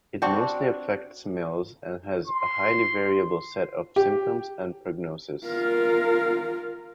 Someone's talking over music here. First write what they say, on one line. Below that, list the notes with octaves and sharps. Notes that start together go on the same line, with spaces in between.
It mostly affects males and has a highly variable set of symptoms and prognoses.
C4 D4 F#4
C6
G4
F4 A#4